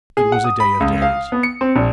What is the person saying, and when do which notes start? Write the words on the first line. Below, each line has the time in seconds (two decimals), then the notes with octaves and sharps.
It was a day of days.
0.17 G#4
0.32 F#5
0.44 D#6
0.60 B5
0.80 C#2
1.02 F5
1.32 B3
1.43 C#7
1.61 C4
1.76 A#1